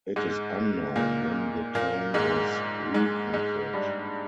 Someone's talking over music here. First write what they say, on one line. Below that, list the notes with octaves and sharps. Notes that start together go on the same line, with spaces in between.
It is unknown when the town was reconquered.
G#2 G#3
A#2 A#3
A#2 A#3
G#2 G#3
G#2 G#3
G#2 G#3
G2 G3